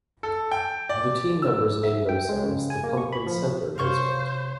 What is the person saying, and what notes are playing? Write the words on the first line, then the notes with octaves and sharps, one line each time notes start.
The team members named themselves the "Pumpkin Center" baseball team.
A4
G5
D5
E6
E5
G5
G#3
C#3
G#5
A#3
C#6
B5
F3
C3 C5 C#5 F5 C#6 G6